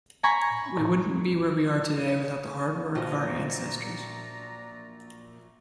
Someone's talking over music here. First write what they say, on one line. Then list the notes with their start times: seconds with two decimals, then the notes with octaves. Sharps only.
We wouldn't be where we are today without the hard work of our ancestors.
0.23 G#5 A#5 B5 C#6 G#6
2.95 A#1 A#2 F3 F#3 D4 D5 D#5 A#5